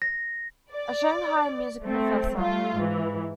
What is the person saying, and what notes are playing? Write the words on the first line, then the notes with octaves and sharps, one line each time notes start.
A Shanghai music professor.
A#6
D5
A3 C4
G3 A3 F4
G#2 E3